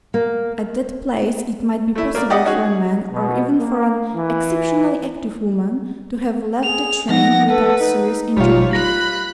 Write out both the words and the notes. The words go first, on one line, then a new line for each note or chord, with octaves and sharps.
At that place it might be possible for a man, or even for an exceptionally active woman, to have left the train without serious injury.
A#3
A3 E4
A#3 D5
G4 D5 D#5 F#5 D6 D#6
C#4 D#4 F#4 G#4
B2
A#3
E3
G#4 F7
F3 B3 D#4 F#5 A#6
A4 B4 F#5
D#4
G#1 B2 G3 F4 C#5
B5 F#6 A#6